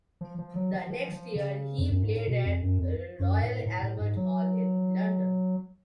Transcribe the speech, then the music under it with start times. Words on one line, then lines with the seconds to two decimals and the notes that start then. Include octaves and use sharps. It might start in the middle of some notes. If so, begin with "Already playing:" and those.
The next year, he played at Royal Albert Hall in London.
0.21 F3
0.38 F3
0.56 F#3
0.73 F3
0.90 F3
1.12 F3
1.35 C#3
1.78 F2
1.90 F#2
2.03 G#2
2.15 A2
2.28 B2
2.45 F2
2.62 F#2
2.79 F2
3.19 F#2
3.42 A2
3.65 A2
3.82 A2
4.00 G#2
4.17 F#3